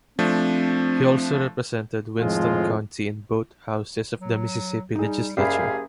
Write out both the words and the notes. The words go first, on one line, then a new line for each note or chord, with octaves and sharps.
He also represented Winston County in both houses of the Mississippi Legislature.
F3 A3 C4 D4
F2 A2 D#3 F3 G#3 F4
F#3
G3 D#4 G#4
F#1 G4 G#4 D5 E5 F5 B5